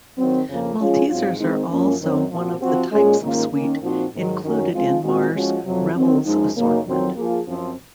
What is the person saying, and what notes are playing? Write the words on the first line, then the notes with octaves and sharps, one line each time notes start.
Maltesers are also one of the types of sweet included in Mars's Revels assortment.
D#3 F#3 C4
F2 C#3 F3 A#3
F3 G#3 C#4 F4 G#4
G#2 F#3 C4 F4
D#3 G#3 C4 D#4 G#4
F#2 F3 A#3 C#4
F#2 D#3 F#3 C4
A#2 F3 C4 F#4
F3 C4 F#4
A#2 G#3 C#4 G#4
G#2 D#3 A#3 C#4 F4
D#3 A#3 C#4
A#2 F3 C4 D#4 F#4
G#2 D#3 F#3
F#2 D#3 F#3 C#4 F#4
F3 G#3 C4 F4
A#2 G#3 C4 F#4
F3 G#3 C#4 F#4
F2 C3 F#3
D#3 F#3 C4
F#2 F3 G#3 D#4
F#2 C#3 F#3 A#3 D#4
F2 D#3 F#3 C4
F3 A#3 F4 G#4
F#2 F3 C4